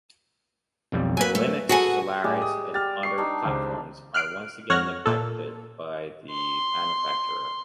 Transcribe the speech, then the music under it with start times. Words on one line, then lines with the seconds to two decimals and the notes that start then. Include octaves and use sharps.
Linux, Solaris and other platforms are once again neglected by the manufacturer.
0.92 B1 F2 G3
1.17 F#3 A#3 B4 G#5
1.35 A3
1.69 F#4 G#4 A4 B4 F#5 G#5
2.24 A2 G3 G#3 D5
2.42 D#6
2.74 G4 F6 A6
3.03 C#6 C7
3.18 D4 D#4
3.45 C#2 C5
4.14 F6 F#6 C7 D7
4.70 F2 C#5 F#5 F6 A#6
5.06 A#2 A4
6.31 C6